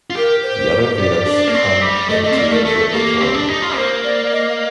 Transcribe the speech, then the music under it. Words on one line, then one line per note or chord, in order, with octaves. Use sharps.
The other Vedas come into written form.
F4
G4 A#4
C5
C5
C5
G4 D5
D4
A#3
C4
G3
A3 D#5
A3 D#5
C4
A#3 D5
A3 A#4
A3 A4
A#3 G4
C4
D4
D#4
F4
A#3 C5
D5
D#5